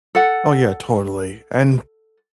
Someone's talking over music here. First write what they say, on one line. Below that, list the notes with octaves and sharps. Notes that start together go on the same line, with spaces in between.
Oh, yeah, totally. And f
A4 F#5